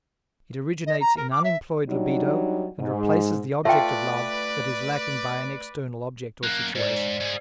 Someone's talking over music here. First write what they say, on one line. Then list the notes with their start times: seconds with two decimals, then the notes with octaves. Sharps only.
It originates in unemployed libido and replaces the object of love that is lacking by an external object or situation.
0.86 D#5
1.01 A#5
1.17 A#4
1.31 D6
1.44 E5
1.89 F#3 G3 D4 D#4
2.79 G#2
3.65 A3 F4 B4 D5 E5 G5
6.43 F#2 A#3 F#6
6.75 G#2 C5 D5
7.21 G#2 G#4